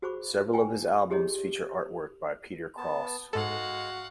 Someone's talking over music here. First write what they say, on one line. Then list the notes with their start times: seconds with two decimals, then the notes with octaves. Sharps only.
Several of his albums feature artwork by Peter Cross.
0.02 F#4 G#4 C5 B5 C#6 D6
0.53 F4 G5 G#5
1.10 E4 G4 G#4 C#5 D#5
2.77 B3 A5
3.33 G#2 G#3 F#4 A4 F5 F#5